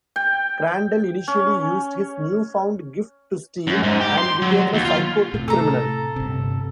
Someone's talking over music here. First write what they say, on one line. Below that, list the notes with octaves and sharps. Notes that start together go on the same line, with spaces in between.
Crandell initially used his newfound gift to steal, and became a psychotic criminal.
G5
C#4
F#2
G#2
G4
C6
F#3
D#2
F4
A2 C3
A4 A#5
G1 C3